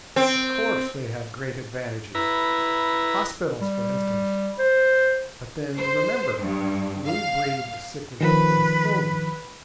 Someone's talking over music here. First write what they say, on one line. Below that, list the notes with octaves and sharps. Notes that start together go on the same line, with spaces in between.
Of course they have great advantages--hospitals for instance; but then, remember, we breed the sickly people who fill them.
C4
E4 B4 A#5
G3
C5
C5
G2
F5
D#3 F3 B4